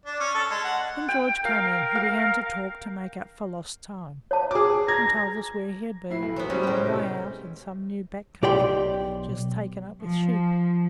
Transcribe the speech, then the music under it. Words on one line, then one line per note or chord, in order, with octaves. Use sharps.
When George came in he began to talk to make up for lost time, and told us where he had been--a long way out in some new back country, just taken up with sheep.
D4
C#4
A4
G#3
F#5
G5
A#4 F5
F5
C#5 A5
G#4 D6
A#5 G#6
A2 E4 B4 C7
B1 A4
F#3 G#3 B3 C5
G1 G3 C#4
A2 D#5 G5
C3
B1 G4 D5 G5 C6
F3